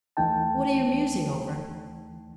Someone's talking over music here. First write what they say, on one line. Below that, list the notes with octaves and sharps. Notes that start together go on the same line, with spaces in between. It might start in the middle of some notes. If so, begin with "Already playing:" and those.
"What are you musing over?"
D#2 E3 A3 D#4 G5 A5